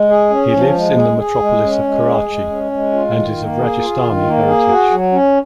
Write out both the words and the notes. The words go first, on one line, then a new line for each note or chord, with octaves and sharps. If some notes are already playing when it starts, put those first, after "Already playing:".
He lives in the metropolis of Karachi, and is of Rajasthani heritage.
Already playing: G#3
G#4
C#4
F3
G#3
G#4
G#4
G#3
C#4
G#3
G#4
G#3
C#4
G#3
F4
D#3
A#3
G#4
F4
D#3
A#3
G#4
F#4
F#3
C#4